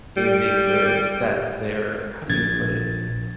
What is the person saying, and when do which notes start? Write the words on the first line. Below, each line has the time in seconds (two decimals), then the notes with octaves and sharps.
is a good step there. How do you put it?
0.17 G3
2.29 A#1 G#6 A6